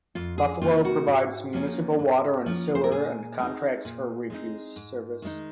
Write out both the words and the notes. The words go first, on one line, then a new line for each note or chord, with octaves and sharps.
Buffalo provides municipal water and sewer and contracts for refuse service.
F2 F4
G#4
C3 D#3 A#3 D#4 F4
F#4
G#2
F3 A#3 C#4 F4
G#2
F3 A#3 C#4 F4
C5
A#4
A#2 G#4
G#3 C4 D#4
A#2
G#3 C4 D#4
G#2
D#3 G#3 D#4